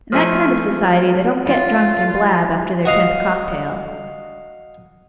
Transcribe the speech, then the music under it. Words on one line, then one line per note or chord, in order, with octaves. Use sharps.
In that kind of society they don't get drunk and blab after their tenth cocktail.
F3 A3 G#5
F4
F#4 D#5 F5